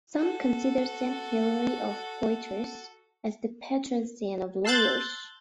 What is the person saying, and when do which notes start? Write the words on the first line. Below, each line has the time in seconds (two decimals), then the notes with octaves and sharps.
Some consider Saint Hilary of Poitiers as the patron saint of lawyers.
0.14 F#4 A4
4.65 A5 C6 E6 F#6 G6 A6